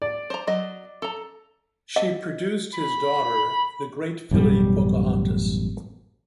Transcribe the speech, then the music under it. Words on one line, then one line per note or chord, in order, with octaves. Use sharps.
She produced his daughter, the great filly Pocahontas.
D5
C5 A#5
F#3 D#5
A4 A#5
D#5
B5
A1 F#2 B2 G3